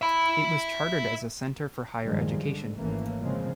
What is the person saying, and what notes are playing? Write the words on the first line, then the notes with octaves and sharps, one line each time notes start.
It was chartered as a center for higher education.
E5 B5
G2 D#3 F3 G3 G#3
D3
G#1 E3 A3 A#3 C#4
A#2 C#3 F3 G#3 C4